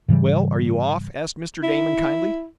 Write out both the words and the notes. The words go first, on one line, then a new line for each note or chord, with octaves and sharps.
"Well, are you off?" asked Mr. Damon, kindly.
G#2 C#3 E3 G3
E4